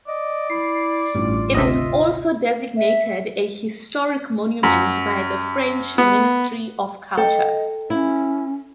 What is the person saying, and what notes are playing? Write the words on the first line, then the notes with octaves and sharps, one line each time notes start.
It is also designated a historic monument by the French Ministry of Culture.
D5 D#5
E4 C7
A1 G2 F4
G#1 D2 C3 D#5 E5
E5
F#2
B3
A4 D#5 G5
C#4 E4